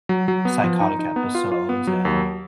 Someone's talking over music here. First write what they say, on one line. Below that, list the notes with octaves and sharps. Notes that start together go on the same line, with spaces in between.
psychotic episodes, and
F#3
F#3
B3
F3
D#4
D#4
B3
F4
F4
B3
F#3
D#2